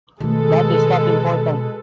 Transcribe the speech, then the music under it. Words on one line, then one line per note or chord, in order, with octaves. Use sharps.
That is not important.
B2 D#3 G#3 A3 A4 B4